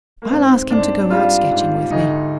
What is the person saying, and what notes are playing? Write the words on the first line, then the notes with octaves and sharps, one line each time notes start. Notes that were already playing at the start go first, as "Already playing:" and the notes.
'I'll ask him to go out sketching with me.
A#3
G#2 C4
G#2 D4
G3 F4
G#2
D2 D#4